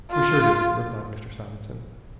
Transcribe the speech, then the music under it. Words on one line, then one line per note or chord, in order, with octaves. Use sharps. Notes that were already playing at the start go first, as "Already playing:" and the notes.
"We sure do," replied Mr. Simonson.
F4